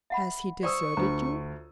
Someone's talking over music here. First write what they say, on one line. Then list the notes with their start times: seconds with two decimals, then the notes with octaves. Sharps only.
"Has he deserted you?"
0.10 E5 F#5 B5
0.63 C5 D5 C#6 D#6 E6
0.97 D2 F4 C#5 A#5